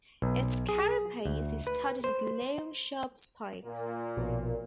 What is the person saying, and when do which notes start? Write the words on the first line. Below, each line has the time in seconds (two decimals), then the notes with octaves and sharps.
Its carapace is studded with long, sharp spikes.
0.22 B1
0.69 G#4
1.25 D2
1.67 B4
2.04 C5
3.65 A#2 A#3
4.17 A#1 B2